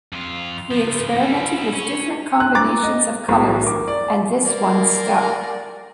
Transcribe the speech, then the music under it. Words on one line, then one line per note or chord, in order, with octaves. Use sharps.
We experimented with different combinations of colours and this one stuck.
F2 F4
C#3 F3
G3 E4
C#4
F#6
A#5 D6 A6
D#5
B1 A2
A#4 D6
D5
A#3 D5